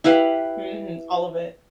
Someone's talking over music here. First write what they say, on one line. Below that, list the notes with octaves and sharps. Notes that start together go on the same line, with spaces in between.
mhm, all of it.
E4 G4 B4 F5